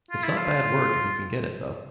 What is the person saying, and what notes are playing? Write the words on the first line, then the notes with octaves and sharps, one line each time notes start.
It's not bad work if you can get it, though.
F4
E4
F4